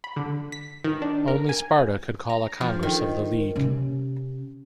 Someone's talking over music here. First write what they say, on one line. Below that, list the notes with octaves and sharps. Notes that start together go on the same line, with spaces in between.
Only Sparta could call a Congress of the League.
B5
D3
B6
D#3
D4
A#4
G#5
A#5
F3
D#3
C3 C#4